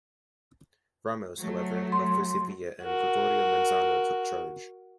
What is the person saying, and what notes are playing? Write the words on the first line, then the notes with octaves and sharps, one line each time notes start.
Ramos, however, left for Sevilla and Gregorio Manzano took charge.
F#3 A3
C6
F#4 A#4